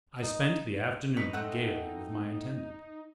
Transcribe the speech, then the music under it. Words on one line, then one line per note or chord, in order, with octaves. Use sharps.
I spent the afternoon gaily with my intended.
D#4
D#4 B4 C#6
A3 C4 F#5